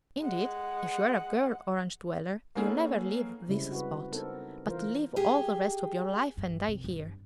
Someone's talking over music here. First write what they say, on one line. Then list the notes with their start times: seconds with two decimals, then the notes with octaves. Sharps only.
Indeed, if you are a girl Orange-dweller you never leave this spot, but live all the rest of your life and die here.
0.21 G#3 F#5
2.55 A#3 B3 C#4 D#4 G#4 A4
3.49 C#3 G3 G#3 C4 E4
3.71 F#4 B4
4.12 B3 C4 D#4 A4 A#4
4.67 E3 F4 A#4 C5
5.16 G4 G#4
6.37 G2
6.68 C3
6.84 G1